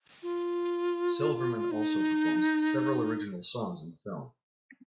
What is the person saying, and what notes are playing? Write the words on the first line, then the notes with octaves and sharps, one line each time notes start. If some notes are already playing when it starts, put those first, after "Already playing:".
Silverman also performs several original songs in the film.
F4
D#4